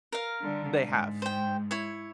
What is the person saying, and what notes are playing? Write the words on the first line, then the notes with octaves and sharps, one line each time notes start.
They have.
A#4 F5
D3 G3
G#2 G#3
C5 G5
E4 C#5